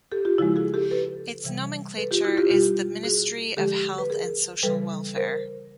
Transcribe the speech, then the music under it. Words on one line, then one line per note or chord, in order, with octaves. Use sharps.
Its nomenclature is the Ministry of Health and Social Welfare.
G4 A4
F4 G4
C#3 F3 G#3 E4 F#4
F#4 G#4
G4 A4
A4 B4
C3 E3 G3
A4 B4
F4 G4
E4 F#4
F4 G4
B2 G3 F4 G4
F#4 G#4
D3 F3 G#3 G4 A4
B4
G#4 A#4
C#3 E3 G3 A4 B4
A#4 C5